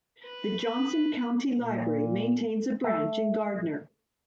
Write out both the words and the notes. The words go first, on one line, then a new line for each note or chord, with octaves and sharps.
The Johnson County Library maintains a branch in Gardner.
B4
A#2
A3